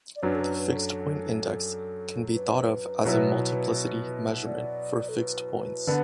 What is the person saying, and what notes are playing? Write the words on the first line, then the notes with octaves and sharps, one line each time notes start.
The fixed-point index can be thought of as a multiplicity measurement for fixed points.
D5
F#2 F#3 D4 B4
A4
B4
B4
A4
A4
B4
B2 F#3 B3 E4
D5
A4
B4
D3 B3